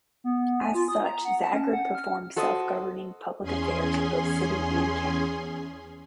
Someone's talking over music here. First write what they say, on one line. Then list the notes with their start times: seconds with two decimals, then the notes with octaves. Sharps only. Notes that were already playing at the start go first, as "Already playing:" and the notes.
As such, Zagreb performs self-governing public affairs of both city and county.
0.24 B3
0.45 B3
0.61 G#5
0.75 F4
0.88 D#6
1.04 A#5
1.25 F#5
1.41 A5
1.53 C#4
1.73 F#5
1.95 F6
2.36 F#4 A4 C5 D#5
3.42 E2 C#4 G#4 G#5 C6